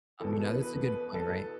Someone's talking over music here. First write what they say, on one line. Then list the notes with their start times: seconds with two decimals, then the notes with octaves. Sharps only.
um, you know, that's a good point, right?
0.20 E2 B2 A4
0.41 B4
0.62 B4
0.83 B4
1.14 A4